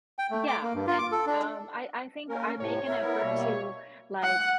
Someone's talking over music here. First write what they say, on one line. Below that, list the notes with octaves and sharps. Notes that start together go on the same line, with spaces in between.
Yeah, and, um, I I think I make an effort to, like,
G5
A3
D6
A#3
G2
F4
D6
A4
D4
A#3 C#4 A#4
A2 C3 F3 C#5
A#4 E5
B3 E4 A#4
B2 G3 A#3
F#5